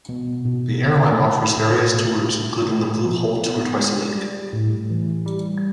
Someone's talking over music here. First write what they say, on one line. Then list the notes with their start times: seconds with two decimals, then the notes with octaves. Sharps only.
The airline offers various tours, including the Blue Hole tour twice a week.
0.09 B2
0.45 B2
0.82 B2
1.20 A2
1.57 A2
1.94 A2
2.31 A2
2.67 A#2
3.05 F3
3.42 B3
3.78 G#3
4.15 G3
4.53 A2
4.90 E3
5.26 G3